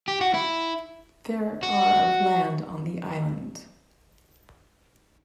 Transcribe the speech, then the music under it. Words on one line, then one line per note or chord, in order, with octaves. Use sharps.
There are of land on the island.
G4
F#4
E4
F#4